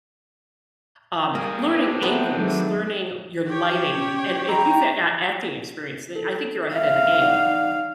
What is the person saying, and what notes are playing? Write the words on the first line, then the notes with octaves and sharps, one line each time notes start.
um, learning angles, learning your lighting, and if you fit got acting experience, then I think you're ahead of the game.
G3 A#3 G#4
B3 C4 D4
A3 B3 D#4 B4
D#3 F#3 G#3 A3
G4 C#5
C#4
G#4 D#5 G5 A#5 B5
A4
E5 F5
D#4 D5 F#5